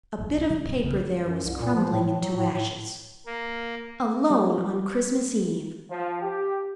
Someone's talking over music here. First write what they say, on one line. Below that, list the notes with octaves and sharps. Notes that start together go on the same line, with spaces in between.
A bit of paper there was crumbling into ashes. Alone on Christmas Eve!
D1 A#1 F#2
B1
C3 E3 G3 C#4
F#2 A#2
A#1 F#2 C#3 F#3
F#2
C2
A#2
F3
A2
A2
F#3
A2
A2
A#3
G3
F3
G4